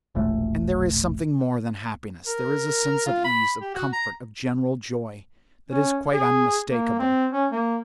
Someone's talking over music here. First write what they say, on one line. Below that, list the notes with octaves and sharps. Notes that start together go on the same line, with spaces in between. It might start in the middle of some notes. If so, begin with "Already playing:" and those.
And there is something more than happiness; there is a sense of ease, of comfort, of general joy, that is quite unmistakable.
E1 A#1 A3
A#4
F4
B5
G4
F#4
A#5
C#4
G#4
A#3
C4
C#4
A#3